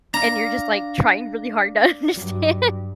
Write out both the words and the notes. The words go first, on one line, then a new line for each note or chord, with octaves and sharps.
and you're just, like, trying really hard to understand.
D4 F5 A#5
G2 F#3